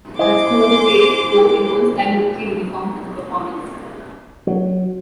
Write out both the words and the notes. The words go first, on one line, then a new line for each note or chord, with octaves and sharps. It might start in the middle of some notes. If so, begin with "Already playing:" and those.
Rastorguyev wore an old-style military uniform for the performance.
E4 C5 D#5 G#5 C6 D6
F#3